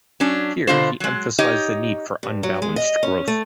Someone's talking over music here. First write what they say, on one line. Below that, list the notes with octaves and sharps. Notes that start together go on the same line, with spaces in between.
Here he emphasized the need for unbalanced growth.
F#3 C#4 D4
B2 D3 F4 C5
F#3 G#3
D#4 G4 C#5 D#5
G2
F#3
G#3
D#5
C#4
A3